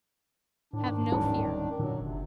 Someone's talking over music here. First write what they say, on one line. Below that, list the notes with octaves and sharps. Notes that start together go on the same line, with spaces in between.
Have no fear.
A2 D#3 D4
G#2
D1 G2 C#4
A#2 D3 F#3
F#1 C3